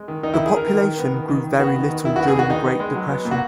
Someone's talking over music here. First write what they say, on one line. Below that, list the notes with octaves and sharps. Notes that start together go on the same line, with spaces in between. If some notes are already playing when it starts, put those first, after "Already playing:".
The population grew very little during the Great Depression.
Already playing: G#3
D#3
D#3 D#4
E4
D#3
G#4
D#3 A#4
D#3 A#4
D#3
B3
D#3
D#3
D#3
B3 F#4
D#3
D#3
D#3 E4
F#4
B3
G#4
D#3 F#4
D#3 D#4
B3
G#3
F#3
B3
A#2
F#4